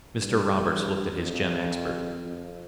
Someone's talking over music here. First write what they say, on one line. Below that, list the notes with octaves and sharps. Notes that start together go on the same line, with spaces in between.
Mr. Roberts looked at his gem expert.
G2
F2
F2